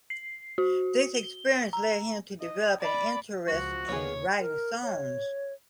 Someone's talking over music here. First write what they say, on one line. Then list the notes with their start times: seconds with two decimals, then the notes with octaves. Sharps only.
This experience led him to develop an interest in writing songs.
0.10 C7
0.58 F#4
1.15 G7
1.73 A#5
2.41 D#5
2.80 D5 B5
3.47 C#2 F3 F#4
3.89 D#2 C#3 A#3 B3 G#4 C#5
4.40 A#4
4.83 C#5